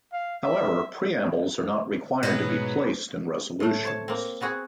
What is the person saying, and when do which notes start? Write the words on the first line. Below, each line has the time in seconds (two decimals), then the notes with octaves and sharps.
However, preambles are not required to be placed in resolutions.
0.13 F5
0.43 E5
2.23 G#2 B2 F#3 B3
3.60 A2 A3
3.84 C5 C#5 A5
4.08 A#3 C4
4.41 B3 C4 F#4 G#4